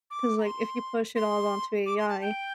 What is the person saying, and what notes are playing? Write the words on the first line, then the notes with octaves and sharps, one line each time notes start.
'cause like if you push it all onto AI
D6
A#5
C6
C6
D6
C6
A5
G5